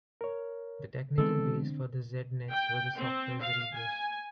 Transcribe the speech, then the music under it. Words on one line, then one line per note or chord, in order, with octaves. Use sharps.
The technical base for the Z-Netz was the software "Zerberus".
A#4 C#5
D3 E3 G#3 B3 C4 A4
G5
C4
F5
G#5